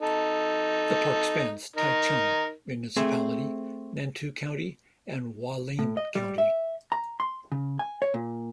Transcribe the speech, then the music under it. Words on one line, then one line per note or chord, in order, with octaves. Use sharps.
The park spans Taichung Municipality, Nantou County, and Hualien County.
D#4 A4
D#4 A#4
A3 C4 G#4 C5
A2
D#5
G3
E5
A#5
C6
C#3
G#5
C#5
A#2